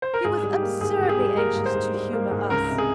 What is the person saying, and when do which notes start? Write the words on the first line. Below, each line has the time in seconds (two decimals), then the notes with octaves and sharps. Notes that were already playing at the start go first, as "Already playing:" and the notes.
He was absurdly anxious to humour us.
0.02 C5
0.14 A#4
0.24 G#2 G#4
0.43 G3
0.52 G4
0.62 A#3
0.81 G#2 G#4
0.99 G#2 G4
1.09 G#4
1.19 G3
1.37 A#3 A#4
1.56 G#2
1.66 C5
1.75 G#2
1.94 G3
2.13 A#3
2.31 G#2
2.50 C#2 A#4
2.69 C3
2.78 G#4